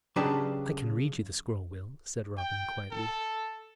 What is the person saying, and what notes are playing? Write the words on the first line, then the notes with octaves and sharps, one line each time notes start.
"I can read you the scroll, Will," said Robin, quietly.
C#3 F#3 D4 G4 B4 A5
G5
A4